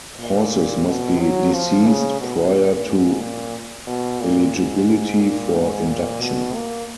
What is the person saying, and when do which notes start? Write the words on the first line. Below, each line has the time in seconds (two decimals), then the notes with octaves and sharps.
Horses must be deceased prior to eligibility for induction.
0.20 A#2
0.87 B2
1.20 F#3
1.53 F3
1.87 C#3
2.21 B2
2.54 A#2
2.87 G#2
3.21 A#2
3.87 B2
4.21 A#2
4.55 G#2
5.21 A#2
5.55 G#2
5.88 A#2
6.22 B2
6.55 A#3